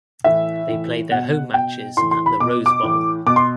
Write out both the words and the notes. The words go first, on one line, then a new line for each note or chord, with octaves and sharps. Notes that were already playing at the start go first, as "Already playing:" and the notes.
They played their home matches at the Rose Bowl.
A2 E3 E5
A2 E3
B2 F#5
B2 G5
A2 E3 C6
C6
B5
B2 D6
D6
A2 E3
B2 D6
C6